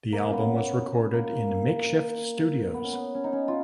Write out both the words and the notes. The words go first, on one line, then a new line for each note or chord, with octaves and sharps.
The album was recorded in makeshift studios.
A#3
B3 C#4
A#3
B3
C#4
B3
C#4
D#4
C#4
F4